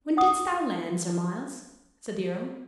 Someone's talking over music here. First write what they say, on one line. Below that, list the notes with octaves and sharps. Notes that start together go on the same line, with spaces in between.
"When didst thou land, Sir Myles?" said the Earl.
F#5 D#6